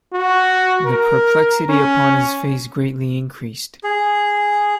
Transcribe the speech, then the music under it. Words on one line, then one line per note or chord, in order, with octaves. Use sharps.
The perplexity upon his face greatly increased.
F#4
A#4
C#4
G#4